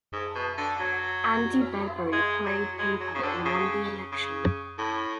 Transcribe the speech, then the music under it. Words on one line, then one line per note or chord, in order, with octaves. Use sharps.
Andy Bedbury played Paper and won the election.
G#2
B2
D3
F#3
G#3
F#3
G#3
F#3
C#3
D3
C#3
C#3
A2